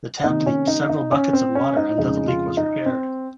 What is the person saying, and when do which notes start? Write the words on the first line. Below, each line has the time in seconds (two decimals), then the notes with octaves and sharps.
The tap leaked several buckets of water until the leak was repaired.
0.23 C3 D#3 A#3 D#4
0.46 C#4
0.67 D#4
0.90 D#4
1.12 C#4
1.33 C4
1.55 C#4
1.77 D#4
1.98 F2 C#3 G#3 D#4
2.28 F4
2.57 D#4
2.86 C4